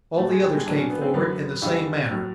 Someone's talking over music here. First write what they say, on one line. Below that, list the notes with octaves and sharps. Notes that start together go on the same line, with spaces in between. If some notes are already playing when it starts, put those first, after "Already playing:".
All the others came forward in the same manner.
A2 F#3 A3
G#3
G3
G#3
A2 F#3 D4
C#4
B3
C4
F#2 D3 F#3 B3
F2 C#3 E3 G3
A2 F#3